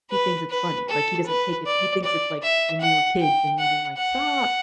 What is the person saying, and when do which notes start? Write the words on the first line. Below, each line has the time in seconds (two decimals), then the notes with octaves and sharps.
he thinks it's funny. Like, he doesn't take it he thinks it's like when we were kids and me being like, "Stop."
0.11 B4
0.50 B4
0.89 A4
1.27 B4
1.66 D5
2.04 D5
2.42 E5
2.81 F#5
3.21 G5
3.59 F#5
3.97 F#5